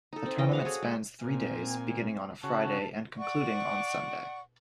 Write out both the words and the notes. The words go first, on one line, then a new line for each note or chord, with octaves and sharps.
The tournament spans three days, beginning on a Friday and concluding on Sunday.
D#4 A4
C4
E3 D#5 G5
F#4 F5 F#5
G#4 A4 C#5
G#3
A#2 C4 G#5
C#3 F#4 A5
D5 F#5 C#6